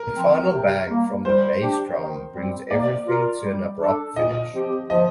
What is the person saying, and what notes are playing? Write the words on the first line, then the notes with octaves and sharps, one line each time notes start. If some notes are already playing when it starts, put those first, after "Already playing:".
A final bang from the bass drum brings everything to an abrupt finish.
Already playing: A#4
F3 C4
C3
G3 A#3
G3 C5
D4 G4
D#3
G3 C4
A#3 D5
F4 A#4
G3
D4 A4
A#2 D#5
F3 C4 G4
F3 D#5